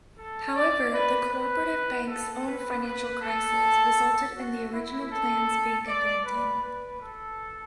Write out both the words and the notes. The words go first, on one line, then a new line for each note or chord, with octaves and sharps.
However, the Co-operative Bank's own financial crisis resulted in the original plans being abandoned.
A4
D5
B4
B4
A4
B4
B4
A4
F#4
E4
A4
D5
B4
B4
A4